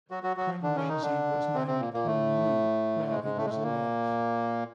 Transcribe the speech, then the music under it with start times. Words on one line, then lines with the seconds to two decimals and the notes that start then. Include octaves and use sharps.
Kong Wenzi was named Kong Yu while he was alive.
0.11 F#3 F#4
0.23 F#3 F#4
0.37 F#3 F#4
0.62 D3 D4
0.76 C#3 C#4
0.89 D#3 D#4
1.02 D3 D4
1.54 C3 C4
1.67 C3 C4
1.80 A#2 A#3
1.93 A#2 A#3
2.06 A2 A3
3.11 G#2 G#3
3.24 G#2 G#3
3.37 A2 A3
3.45 G#3
3.50 A2 A3
3.63 A#2 A#3